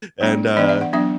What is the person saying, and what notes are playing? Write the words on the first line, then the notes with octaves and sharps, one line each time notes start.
And, uh
G3 B3 D4
E3 B3 D4 D5
E5
F#5
F#3 B3 D4 E5